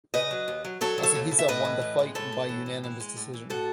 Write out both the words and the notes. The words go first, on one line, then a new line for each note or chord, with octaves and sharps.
Asahisa won the fight by unanimous decision.
C#3 B4 D#5
F#3
D#2
F#3
F#3 A4 C#5
F#3
A4 C#5
D#2
C#3
E5
A2 B4 D#5
E3
A2
G#3
A2 A4 C#5
A2
E3
A2
E3
G#3
A2
E3
A2 F#4 A4